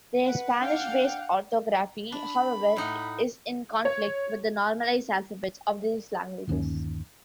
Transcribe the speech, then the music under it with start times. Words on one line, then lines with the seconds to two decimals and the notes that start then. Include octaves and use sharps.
Their Spanish-based orthography, however, is in conflict with the normalized alphabets of these languages.
0.24 B4 F#5
0.60 D4 F5 G5
2.12 D4 B5
2.77 A2 D#4 F#5
3.85 C#5
6.48 G1 D#2 B2 C#4